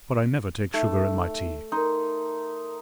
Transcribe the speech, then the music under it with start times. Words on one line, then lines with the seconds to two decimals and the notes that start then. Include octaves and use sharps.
"But I never take sugar in my tea."
0.74 A3 D#4 E5
1.72 D#4 A#4 C6